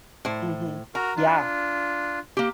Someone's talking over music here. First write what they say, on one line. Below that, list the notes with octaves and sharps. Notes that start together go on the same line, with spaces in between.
Mhm. Yeah.
A2 C5
F#4 A#4 A#5
D4 F4
A#3 G4